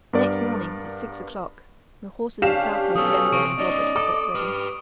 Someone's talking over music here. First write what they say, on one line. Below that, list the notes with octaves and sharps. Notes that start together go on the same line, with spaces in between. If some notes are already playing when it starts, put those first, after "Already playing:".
Next morning, at six o'clock, the horses of Thalcave, Glenarvan and Robert were got ready.
G2 B3 A#4 D5
D#3 C#4 D4 G4 F5 E7
F#3 B3 C#4 A4 D#6
C3 C#6 D7
C#4 D#4 D5 D#5
A4 D6
G4 B4 F6